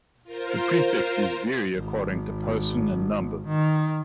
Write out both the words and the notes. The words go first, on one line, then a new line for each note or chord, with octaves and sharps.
The prefixes vary according to person and number.
F4 A#4 C5
G#1
D#3